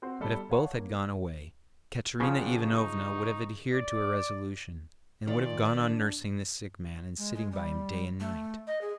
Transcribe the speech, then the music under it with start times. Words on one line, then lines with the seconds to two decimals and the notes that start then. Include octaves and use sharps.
But if both had gone away, Katerina Ivanovna would have adhered to her resolution, and would have gone on nursing the sick man and sitting by him day and night.
0.02 C4 F#4 C5
0.20 G1 G3 A4 A5 B5
0.50 C#5 D5 F5 F#5 A5 C#6
0.75 A#3
2.20 C#3 F3 C#4 D4 F#4 G5
2.62 D#4 C#6
3.73 D5
5.27 A#2 D#3 D5
5.79 D4
7.18 G#3
7.35 G#3
7.52 G3
8.20 A3
8.67 D#5
8.81 G#4